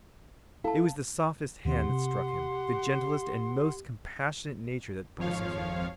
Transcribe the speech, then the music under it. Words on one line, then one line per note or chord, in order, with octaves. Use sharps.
It was the softest hand that struck him, the gentlest and most compassionate nature that persecuted him.
E4 A4 F5 A5
D#2 D#3 C4 G4 F#5 C6
C3
G#1 F2 F3 C#5 F5